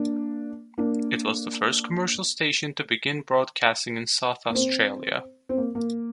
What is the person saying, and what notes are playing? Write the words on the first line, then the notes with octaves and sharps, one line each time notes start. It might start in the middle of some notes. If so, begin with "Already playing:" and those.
It was the first commercial station to begin broadcasting in South Australia.
Already playing: A#3 D4
A#3 D4
A#3
C4
C4
A#3
A#3